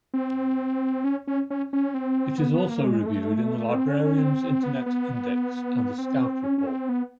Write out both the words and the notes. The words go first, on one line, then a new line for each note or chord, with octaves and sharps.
It is also reviewed in the Librarian's Internet Index and the Scout Report.
C4
C#4
C#4
C#4
C#4
C4
B3
B3
A#3
G#3
A3
C4
C#4
C#4
C4
B3
B3
C4
C#4
C#4
C4
B3